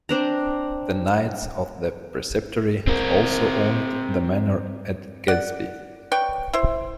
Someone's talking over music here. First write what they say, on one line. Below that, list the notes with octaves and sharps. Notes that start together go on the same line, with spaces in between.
The knights of the preceptory also owned the Manor at Gaddesby.
C4 D4 A#5
C4 A#4
D5 F#5
B4 C#5 D5 G5
E4 C5